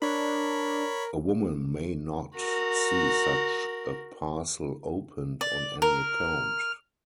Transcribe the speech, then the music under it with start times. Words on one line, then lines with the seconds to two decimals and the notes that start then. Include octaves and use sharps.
A woman may not see such a parcel opened on any account.
0.02 D4 A#4 C#5 B5
2.36 F#4 A#4
5.41 D5
5.82 A#4 F6